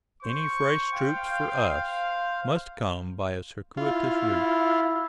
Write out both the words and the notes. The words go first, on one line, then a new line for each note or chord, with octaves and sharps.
Any fresh troops for us must come by a circuitous route.
C5 C#6
F5 G5
E4 F4